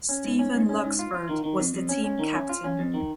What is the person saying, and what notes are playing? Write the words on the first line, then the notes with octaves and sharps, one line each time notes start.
Stephen Luxford was the team captain.
C#4
G#2
C#4
G#2
C#4
G#2
F4
F4
D#3
D#3
F2
F2
C#4
C#4
D#3
C#4
F4
C#4
F2
D#3